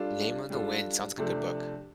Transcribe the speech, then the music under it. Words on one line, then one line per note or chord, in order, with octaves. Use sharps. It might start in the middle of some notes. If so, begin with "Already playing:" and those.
Name of the Wind, sounds like good book.
Already playing: G3 D4 F4 A4
G3 D4 F4 A4
C3 F3 A3 D4 A4